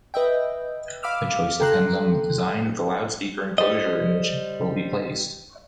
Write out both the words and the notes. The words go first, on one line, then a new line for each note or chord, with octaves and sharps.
The choice depends on the design of the loudspeaker enclosure in which it will be placed.
B4 D#5 E5 G5
F5 B5 D6 E6 F6
A4 G5 A#5 C6 F#6
G3 C5 D#5